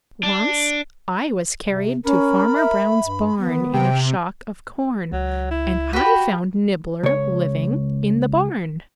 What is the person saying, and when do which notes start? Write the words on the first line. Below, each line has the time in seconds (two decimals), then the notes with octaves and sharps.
"Once I was carried to Farmer Brown's barn in a shock of corn and I found Nibbler living in the barn."
0.23 D4
1.66 C3
2.05 C#4 A#4 B5
2.56 E5
3.02 G2
3.38 D#3 B3
3.73 C3 G5
5.13 C#2 F#3
5.51 E4
5.93 F#4 G4 B4
7.03 C#2 C#5